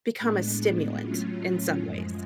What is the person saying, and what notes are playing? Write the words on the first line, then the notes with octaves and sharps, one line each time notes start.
become a stimulant in some ways.
A2 G#3 B3 D4
A2 F#3 A3 C#4 F4
F#2 F3 G#3